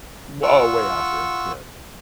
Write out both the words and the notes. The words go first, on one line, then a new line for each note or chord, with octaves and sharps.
W oh, way after. Yeah.
F4 F#5 C#6 E6